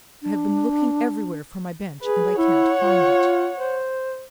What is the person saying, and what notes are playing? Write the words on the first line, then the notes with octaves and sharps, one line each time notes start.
I have been looking everywhere for my bench, and I can't find it.
D4
G#4 B4
E4 C#5 F#5
F4
C5